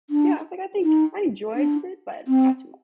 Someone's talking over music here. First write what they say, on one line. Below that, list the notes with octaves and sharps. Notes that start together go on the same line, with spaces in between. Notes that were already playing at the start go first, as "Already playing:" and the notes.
yeah, I was like, I think I enjoyed it, but not too much.
D4
D#4
D4
C4